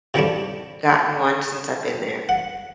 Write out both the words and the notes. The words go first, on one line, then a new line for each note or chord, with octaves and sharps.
gotten one since I've been there.
C3 D#3 E3 G3 A3 D4
F#5